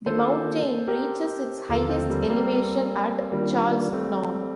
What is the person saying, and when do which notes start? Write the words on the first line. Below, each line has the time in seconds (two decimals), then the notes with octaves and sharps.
The mountain reaches its highest elevation at Charles Knob.
0.06 D#3 A#3 D4 F4 A4 A#4 C5
0.88 G4 A#4
1.69 D#2 D3 F3 F4 A4
1.89 A3 C4
2.10 G3 A#3
2.30 G3 A#3
3.32 D#3 G3 A#3 D4 F4 A#4
3.93 A3 C4